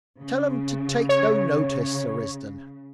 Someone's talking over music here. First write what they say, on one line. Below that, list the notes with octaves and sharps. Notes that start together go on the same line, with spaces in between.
Tell 'em to take no notice, Sir Risdon.
C#3
C#5